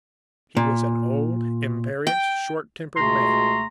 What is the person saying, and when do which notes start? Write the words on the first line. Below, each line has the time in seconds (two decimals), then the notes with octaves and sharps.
He was an old, imperious, short-tempered man.
0.57 A#2
2.07 G5
2.96 C#2 B2 A3 G#4 A#5 C6